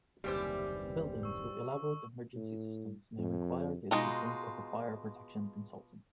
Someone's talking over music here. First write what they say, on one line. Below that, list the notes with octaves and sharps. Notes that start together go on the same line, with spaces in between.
Buildings with elaborate emergency systems may require the assistance of a fire protection consultant.
F#1 D#2 C3 E3 G3 G4 C5
C#6 E6
A2
F2
B2 G#3 D#4 F4 A#5